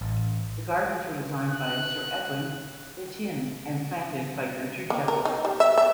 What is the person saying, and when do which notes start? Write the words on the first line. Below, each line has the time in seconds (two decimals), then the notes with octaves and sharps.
The gardens were designed by Sir Edwin Lutyens and planted by Gertrude Jekyll.
0.01 A1
1.49 F#6
4.90 A#3
5.08 A#4
5.25 D#4
5.45 G3
5.60 E5
5.78 E5